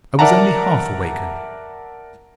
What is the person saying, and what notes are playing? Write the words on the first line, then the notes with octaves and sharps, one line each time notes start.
I was only half-awakened.
A#4 D5 E5 F#5 A5 A#5